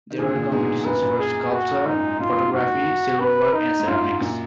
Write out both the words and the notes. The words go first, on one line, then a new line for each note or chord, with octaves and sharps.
There are competitions for sculpture, photography, silverwork and ceramics.
D#3
A#2 D3 G#4
A#2 D3
G#2 B2 G#4
F#2 A#2 B4
F#2 A#2
G#4
F#4
G#2 D#4
F#2
G#2
F#2 A#2 F4
F#2 A#2
G#2
F#2 F#4
F#2 B4
D#4
G#2
F#2 F4
G#2
F#2 A#2